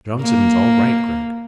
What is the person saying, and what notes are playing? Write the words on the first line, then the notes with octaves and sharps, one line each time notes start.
"Johnson is all right, Gregg."
A#3